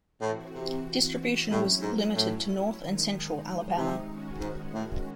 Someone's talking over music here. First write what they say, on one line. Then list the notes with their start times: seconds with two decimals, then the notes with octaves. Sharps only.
Distribution was limited to north and central Alabama.
0.20 A2 E3 C4 F#4
0.53 C3
1.50 A2 F#3 C#4 E4
1.82 G#2
2.14 A2
2.79 D#3 G#3 D#4
3.75 C3
4.08 D#3 G#3 C#4 F#4
4.40 G#2
4.73 A2